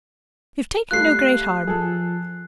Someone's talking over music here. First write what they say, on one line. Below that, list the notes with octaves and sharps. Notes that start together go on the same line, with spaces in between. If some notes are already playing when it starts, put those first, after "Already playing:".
"You've taken no great harm."
G3 A3 F4 F#6 C7
F3 G#4 A4